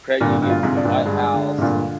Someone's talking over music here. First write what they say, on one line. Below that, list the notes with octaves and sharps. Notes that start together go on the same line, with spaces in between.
credit unions and the White House, and
G2 A#2 D3
G2 A#2
F4
G#2 C3
D4
G2 A#2
G2 G#3
D3
C3
G2 A#2 F4